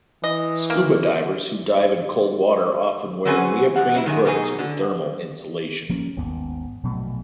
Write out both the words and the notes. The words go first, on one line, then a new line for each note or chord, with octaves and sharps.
Scuba divers who dive in cold water often wear neoprene hoods for thermal insulation.
E3 D#5
A#3
F#3 C4 C#4 G#4 B4 F#5
E2 F#5
F#3 D#4 E4
D#3 F#3 G#4
B2 F#3 D#4 G#4
D3
F3 A#3 C#4
G#1 D#2 G#2 B3
A#1 B2 F#3 A3